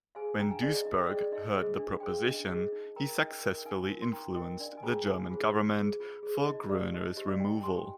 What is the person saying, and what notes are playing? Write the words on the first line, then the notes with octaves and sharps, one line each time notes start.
When Duisberg heard the proposition, he successfully influenced the German government for Groener's removal.
G#4 C5 F5 G#5
D4 G5 A#5
F5 G#5
G#4 C5 D5 F5
D#5
D#4 D#5
D#5 G5
D5
G#4 C5 D#5
D5
D#4 D#5
G#4 C5 D#5
D4
G#4 C5 G5
F5
D4 D#5
G#4 C5 D#5
D#4
A#4 G5 A#5
D#4 D#5 G5
A#4
G5
D#4 F5 G#5
A#4
C6
D#4 G5 A#5
A#4 D#5 G5
D4 D5 F5
G#5
F4 G#4 C5 G5 A#5
D4 F5 G#5
F4 G#4 C5
F4
G#4 C5
F4
G#4 C5
D#4 D#5
G4 C5 D5 F5
D#4 D#5
G4 C5 D#5
D5 F5
D#4 D#5 G5
G4 C5 G#5 C6
G5